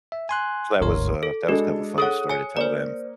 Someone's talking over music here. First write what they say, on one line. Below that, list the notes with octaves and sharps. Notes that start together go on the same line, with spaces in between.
So that was, uh, that was kind of a funny story to tell them.
E5
G#5 C6 F#6
G1 D2 G#2 A#4 C#5 C6
A4
G#3 D4 F#4 A4
G#4 A4 C#5 F#5 D#6
C#5 G#5 C#7
A#3 C5 D5